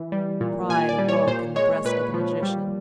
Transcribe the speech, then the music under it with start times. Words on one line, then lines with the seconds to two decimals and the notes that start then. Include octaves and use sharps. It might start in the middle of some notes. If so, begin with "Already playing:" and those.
Pride awoke in the breast of the magician.
Already playing: E3
0.12 G3
0.41 A#2
0.69 A#2 G#5
0.89 D5
0.99 G3
1.09 C#5
1.27 A#2 C5
1.56 G#3 C#5
1.85 A#2 B4
2.14 F3
2.43 G3